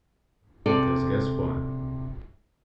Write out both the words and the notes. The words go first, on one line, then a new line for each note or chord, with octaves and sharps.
Because guess what?
C3 A4 D5